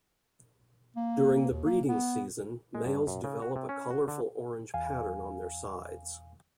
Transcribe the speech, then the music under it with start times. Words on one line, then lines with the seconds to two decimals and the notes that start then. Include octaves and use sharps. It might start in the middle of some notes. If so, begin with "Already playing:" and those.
During the breeding season, males develop a colorful orange pattern on their sides.
0.97 A#3
1.51 D#2
1.66 A#3
1.89 B3
2.75 G#3
2.86 G2
3.07 F#2
3.24 C#3
3.42 F#4
3.56 C3
3.69 C#4
3.90 F#4
4.08 D3
4.74 E2 F5 G#5